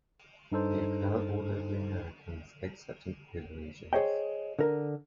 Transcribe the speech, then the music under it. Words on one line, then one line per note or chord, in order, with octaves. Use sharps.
They occur all over the Americas except in polar regions.
G2 D#4 A4 C5
G#4 C5 C#5 D#5 G5
D3 A#4